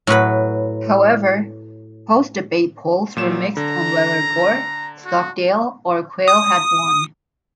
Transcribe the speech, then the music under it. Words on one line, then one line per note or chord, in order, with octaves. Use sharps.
However, post-debate polls were mixed on whether Gore, Stockdale or Quayle had won.
A2 F#3 B4 B5
A#2 F#3 E7
D3 A#5
F#4
D#6